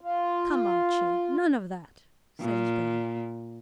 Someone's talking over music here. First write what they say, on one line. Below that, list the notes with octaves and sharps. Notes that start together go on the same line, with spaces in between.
"Come, Archie, none of that," said his brother.
F4
A#2